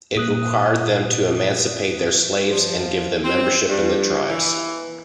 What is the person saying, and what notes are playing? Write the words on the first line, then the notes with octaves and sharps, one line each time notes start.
It required them to emancipate their slaves and give them membership in the tribes.
A#2 D#6 F#6
F3
C4
G2
E3